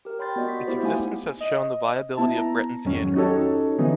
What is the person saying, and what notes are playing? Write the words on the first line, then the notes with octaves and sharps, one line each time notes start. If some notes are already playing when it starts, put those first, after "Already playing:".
Its existence has shown the viability of Breton theater.
G4 A#4
C#5 G5 B5 C6 G6 A6
B3 F#4 D5 D#5 C#6
B6
B3 E4 G4 C5
A3 A#3 D#4 G4 F#5 G#5
D#5
B3 E4 A5
A#5
F2 G#2 D#3 F#3 C#4
C#4 D#4 F#4 G4 A4 C#5
D3 E3 F#3 B3 D#4